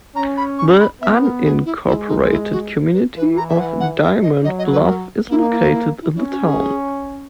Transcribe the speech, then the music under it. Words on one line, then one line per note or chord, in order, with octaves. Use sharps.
The unincorporated community of Diamond Bluff is located in the town.
C#4 A#5
B5
C#6
B5
B3 E5
A#4
G#4
E4
G#3 E4
D#4
E4
F#4
B4
E3 B4
A#5
E5
F#5
F#5
E5
D#5
F#3 D#5
D#5
B4
A#4
A#3 E4
D#4
E4
F#4
E4
E4
C#4 E4
F#4
G#4